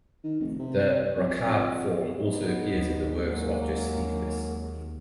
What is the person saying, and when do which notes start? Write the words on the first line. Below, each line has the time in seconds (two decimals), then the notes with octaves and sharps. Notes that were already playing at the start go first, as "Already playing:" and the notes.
The "Rachab" form also appears in the works of Josephus.
0.24 D#3
0.40 F1
0.59 C3
1.17 F2
1.46 F2
2.21 B3 D#4
2.74 D#2
3.20 F#3 G#3 A#3